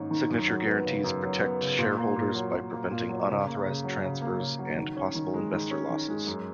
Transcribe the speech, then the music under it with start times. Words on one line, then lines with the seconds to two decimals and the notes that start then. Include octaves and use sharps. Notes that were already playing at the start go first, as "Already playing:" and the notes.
Signature guarantees protect shareholders by preventing unauthorized transfers and possible investor losses.
Already playing: G#2 D#3 A#3 C#4
0.11 D#3
0.30 F#2
0.48 F#3
0.67 B3
0.85 C#3
1.04 F#2
1.23 F#3
1.41 B3
1.60 C#3
1.79 A#2
1.98 A#3
2.16 A#2
2.35 F#3
2.53 A#2
2.72 A#3
2.91 A#2
3.09 F#3
3.28 C#3
3.47 A#3
3.66 C#3
3.84 F#3
4.03 C#3
4.21 A#3
4.40 C#3
4.59 F#3
4.78 D#3
4.97 C#4
5.15 D#3
5.34 G#3
5.52 D#3
5.71 C#4
5.90 D#3
6.08 G#3
6.27 F#2